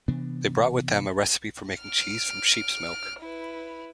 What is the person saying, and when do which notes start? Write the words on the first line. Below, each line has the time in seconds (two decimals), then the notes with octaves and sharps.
They brought with them a recipe for making cheese from sheep's milk.
0.08 C3 E3 B3 D4
1.82 F6 D7
3.20 E4 B4